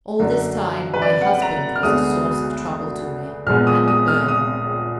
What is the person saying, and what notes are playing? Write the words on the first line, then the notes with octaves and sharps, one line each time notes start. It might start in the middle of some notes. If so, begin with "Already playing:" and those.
All this time my husband was a source of trouble to me, and a burden.
F#2 D3 F#3 A#3
B4
D5
F#5
A#5
F6
D2 D3 G#3 B3 D#6
A#1 A#2 F3 G#3 B3 F6
D#6
D#6
F6
D#6